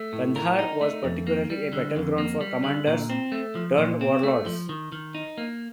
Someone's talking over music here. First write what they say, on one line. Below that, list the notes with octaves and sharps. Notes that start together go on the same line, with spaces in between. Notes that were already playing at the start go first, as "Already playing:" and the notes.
Kandahar was particularly a battleground for commanders turned warlords.
Already playing: A3
A2
A#4
D#4
A3
F2
A#3
G3
D3
F2
A#3
G3
D3
A#2
C4
A3
F3
A#2
C4
A3
F3
D#3
D#3
D#4
A#3